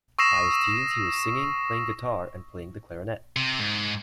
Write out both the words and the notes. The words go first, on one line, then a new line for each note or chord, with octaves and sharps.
By his teens, he was singing, playing guitar, and playing the clarinet.
C#6 D#6 E6 A#6 C7 E7
C3
G#2